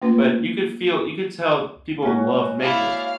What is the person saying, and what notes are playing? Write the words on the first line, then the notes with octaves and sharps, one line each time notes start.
but you could feel you could tell people love making them.
A3 A#3 C#4 F4 B4
G#3 A#3 C#4 F#4
E4 D5 F5